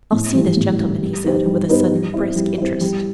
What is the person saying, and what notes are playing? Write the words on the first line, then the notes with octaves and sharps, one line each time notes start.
"I'll see this gentleman," he said, with a sudden brisk interest.
A2
E3 G3
A2
E3 G3
G3
B3 D#4 G4 C5
G3
B3 D#4 G4 C5
G3
C4 E4
G3
C4 E4
G3